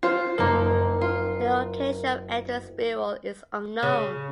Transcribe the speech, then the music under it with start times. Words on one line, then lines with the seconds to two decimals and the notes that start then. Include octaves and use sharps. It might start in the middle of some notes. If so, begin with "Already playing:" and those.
The location of Edward's burial is unknown.
0.03 F4 C5
0.38 F#1 A#3 D#4 A#4 E7
1.01 F4
3.83 C#3